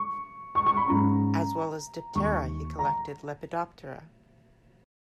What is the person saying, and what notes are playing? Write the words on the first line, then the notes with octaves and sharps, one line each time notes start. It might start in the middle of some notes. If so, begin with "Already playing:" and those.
As well as Diptera he collected Lepidoptera.
Already playing: C#6
C#6
C#6
B5
G#2 F#3 C#4 A#5
D#2 D#3 A#3 C#6
A#5